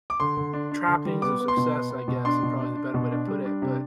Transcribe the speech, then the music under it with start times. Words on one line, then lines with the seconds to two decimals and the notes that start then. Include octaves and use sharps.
trappings of success, I guess, i probably the better way to put it, but
0.10 D6
0.20 D3 C6
0.37 D3
0.53 D4
0.72 D4
0.88 D3
1.05 G3
1.22 B3 D6
1.40 B3
1.48 C6
1.57 B2
1.74 B3
1.90 B3
2.08 B2
2.25 D4 C6
2.43 B2
2.60 D4
2.77 D4
2.94 B2
3.11 D4
3.27 G3
3.45 D4
3.62 C3